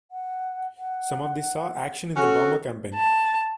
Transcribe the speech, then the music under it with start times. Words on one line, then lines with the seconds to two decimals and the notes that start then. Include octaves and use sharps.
Some of these saw action in the Burma Campaign.
0.11 F#5
0.77 F#5
2.16 C#4 F#4 A4
2.93 A5